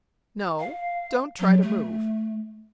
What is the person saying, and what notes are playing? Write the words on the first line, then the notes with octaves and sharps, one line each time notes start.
No, don't try to move.
F5
F#3
A3